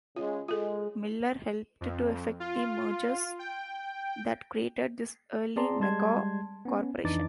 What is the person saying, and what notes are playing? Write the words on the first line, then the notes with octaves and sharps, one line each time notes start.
Miller helped to effect the mergers that created this early mega-corporation.
C#3 G#3 F4
G#3 F4 A4
F2
F4
G5
C4 G#4 D5 A5 A#5 C6
G3 G#3 A5 C6 G#6
B3 C#4
F2 E3 D4 D#4 D6 A6